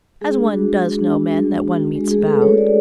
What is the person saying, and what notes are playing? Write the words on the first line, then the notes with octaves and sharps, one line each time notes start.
"As one does know men that one meets about."
G#3 G#4
D4
F#4
G#3
G#3
D4
F#4
G#3
G#3
D4
F#4
G#3
A3 G#4
A4
C#4 B4
F#4 C#5
A3 D5